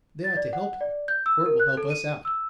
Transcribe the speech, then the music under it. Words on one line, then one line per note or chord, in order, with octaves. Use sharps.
They ought to help you, for it will help us out.
A6
D5
F#5
D5
G6
E6
A#4
F#6
A4
D#7
E6